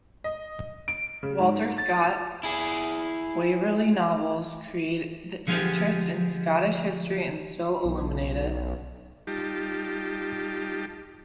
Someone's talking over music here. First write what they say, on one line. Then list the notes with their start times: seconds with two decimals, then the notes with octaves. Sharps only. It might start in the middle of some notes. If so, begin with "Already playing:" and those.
Walter Scott's Waverley novels created interest in Scottish history and still illuminate it.
0.24 D#5
0.88 D7
1.23 C#3
1.39 G#2
1.78 A6
2.43 E4 G#4
5.47 D3 F3 G#3 E4 F4 G4
7.85 B1
9.27 G3 D#4 F4 G4 A5